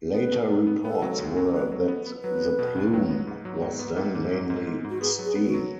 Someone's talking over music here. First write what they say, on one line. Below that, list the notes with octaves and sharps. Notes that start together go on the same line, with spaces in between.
Later reports were that the plume was then mainly steam.
B3 B4
B2
B3
B3
B3 A4
F#3
C#2
F#3
A4
F#3 B4
F#3
B3
B3
F#3 B4
B3
B2
C#2
F#3
B3
G#2
F#3
G#2
B3
G#2
G#2
F#3
G#2
G#2
G#2
F#4
B3 G#4
F#3
G#4
B3
F#4
F#3